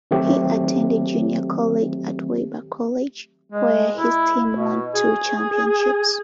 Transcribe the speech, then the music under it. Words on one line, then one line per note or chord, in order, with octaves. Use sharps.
He attended junior college at Weber College, where his team won two championships.
D#3 F#3 A3 C4 G4
G#3
E4
B2
G#4